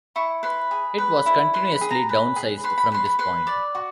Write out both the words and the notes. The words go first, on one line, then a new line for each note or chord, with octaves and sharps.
It was continuously downsized from this point.
E4 C#6
B4 C6
G#4
B4
E4
B4 C6
B5
G#4
A#5
B4
G#4 B5
B4 C6
B5
B4 C6
B5
B4 C6
D5
F#4